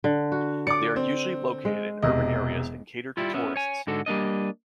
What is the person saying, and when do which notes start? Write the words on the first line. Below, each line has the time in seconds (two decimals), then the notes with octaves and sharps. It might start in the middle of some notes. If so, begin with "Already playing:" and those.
They are usually located in urban areas and cater to tourists.
0.04 D3
0.32 F#4
0.67 D5 D6 C#7
0.96 C4
1.65 G#3
2.02 E1 C3 D#5
3.17 G3 E4 F4
3.34 B3 C#4 E5
3.56 C#5 G#5
3.87 G#2 D3 F#4 A4
4.06 G3 A#3 D4 D#5